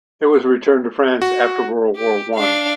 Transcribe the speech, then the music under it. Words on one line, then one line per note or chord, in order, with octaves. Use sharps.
It was returned to France after World War One.
F#4
G4
D4 F5